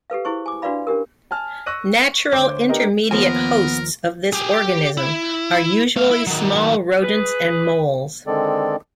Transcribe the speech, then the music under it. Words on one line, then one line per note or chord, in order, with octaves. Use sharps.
Natural intermediate hosts of this organism are usually small rodents and moles.
G4 A4 B4 F5
E4 G#4 C5 C#6
G#5 D6
D4 F#4 B4 D5 F5 B5
C#4 D4 G4 A#4
G#5 A5 F6
C#6 E6 F#6 A#6 D#7
D2 C5 C#5 D6 G6
A#3 B3 D4 G4 A#4 D#5
D#2 F3 B3 A#4 G#5
G4 G#4
G4
E4
A3 F5
E4
D#3 F#3
G#4 B4
D3 D#3 G#3 C4 A4 D5